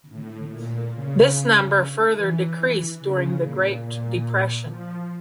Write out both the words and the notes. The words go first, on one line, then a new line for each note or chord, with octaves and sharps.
This number further decreased during the Great Depression.
A2
A#2
C#3
E3
C#3
A#2
A#2
F3